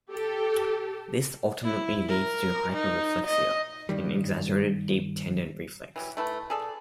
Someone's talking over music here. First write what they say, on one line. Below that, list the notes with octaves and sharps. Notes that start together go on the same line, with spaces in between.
This ultimately leads to hyperreflexia, an exaggerated deep tendon reflex.
G4 A4
E4
A#4
D#4
D#5
G2 D#3 G3
E3 F#3 G3
A3 E4 B4 A5
G#4 A4 D5